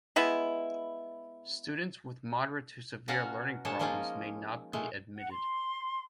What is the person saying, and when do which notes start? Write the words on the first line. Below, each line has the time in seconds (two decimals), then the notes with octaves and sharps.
Students with moderate to severe learning problems may not be admitted.
0.16 G#3 B3 E4
3.08 B2 C#4 F#4 F5 F#5 A#5
3.65 A#2 G#3 D4 C#5 A5
3.79 F3 G#3 A#3 C#4 D#4 F4
4.73 A#2 G#3 A3
5.18 F#5
5.31 C6